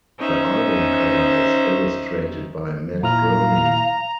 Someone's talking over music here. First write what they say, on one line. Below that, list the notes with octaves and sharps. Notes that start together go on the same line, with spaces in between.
The album cover is illustrated by Matt Groening.
C#4 D#4 C5 E5
A#2 E4 F5 A#5 F6